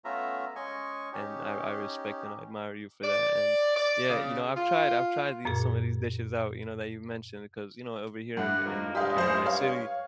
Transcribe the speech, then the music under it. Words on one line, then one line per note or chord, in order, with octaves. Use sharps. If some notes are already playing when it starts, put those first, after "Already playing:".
and I I respect and I admire you for that, and Yeah, you know, I've tried I've tried these some of these dishes out, you know, that you've mentioned 'cause, you know, over here in in, uh, in my city,
A3 B3 C#4 F4 E5 A#5
G#3 C#4 D#5 G#5 C#6
C#4 D#4 G4
D5
D5
C#3
F4
F#2 A#2 G#4
G2 F#4 E5 F#5
F2 D#3 A#3
G2 G#3 G4 D#5 F5
C#2 F#2 C5
C#5 F5